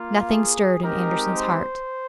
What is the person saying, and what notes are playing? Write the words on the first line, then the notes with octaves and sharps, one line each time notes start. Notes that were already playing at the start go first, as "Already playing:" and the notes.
Nothing stirred in Andersen's heart.
Already playing: A#3 F4
G#4
G#3 C4 D#4 G4 A#4
C5